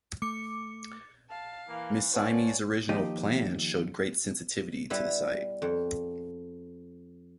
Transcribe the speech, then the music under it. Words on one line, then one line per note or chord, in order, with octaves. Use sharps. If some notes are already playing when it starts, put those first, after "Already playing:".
Ms. Symmes' original plan showed great sensitivity to the site.
A3 D6 C#7
F5 A5
E3 A#3
F3 B4 C#5 D5 F#5 G#5 A5
D#2 F3 D#4 G4 D#5
G3 B3 E4
F2